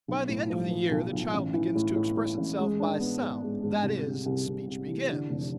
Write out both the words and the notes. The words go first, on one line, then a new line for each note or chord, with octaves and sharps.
By the end of the year the child begins to express itself by sounds--that is, speech begins.
B1
A2
F3
F3
B1
B1
A1
E3
A2
A2
A2
A1
G#3
D4
B3
G#2
G#3
G#2
C2
C3
C2
C2
C3
E3
D3
F1